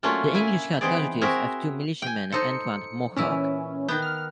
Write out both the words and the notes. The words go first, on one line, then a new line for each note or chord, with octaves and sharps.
The English had casualties of two militiamen and one Mohawk.
F#3 A3 A#3 C#4 D4 F4
A#3 E4 G#5
E3 B3 C4 D#4 G#4 D5
C4 E4 F#4 G#4 A#4 E5
G5 G#5
D#4 A4 C5 C#7
A#2 E3 C#4 E4
D#3 B3 G6
F6